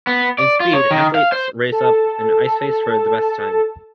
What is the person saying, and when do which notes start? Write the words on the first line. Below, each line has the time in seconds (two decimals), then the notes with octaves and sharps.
In Speed, athletes race up an ice face for the best time.
0.07 B3
0.39 D5
0.60 F4
0.73 C#5
0.91 D#3
1.15 F5
1.32 C5
1.72 A4 A5